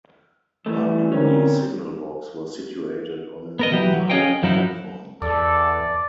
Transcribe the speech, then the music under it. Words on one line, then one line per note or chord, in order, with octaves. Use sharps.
Ardlui signal box was situated on the island platform.
A2 E3 G3 A3
A#2 D3 C4 C#4 A#4
B3 A#4 D#5
E3 F#3 G4
F#3
C#4 G#4 C#5 D#5 F5 G5
F#2 F3 F#3 D#4 E4
E2 A4 D5 D6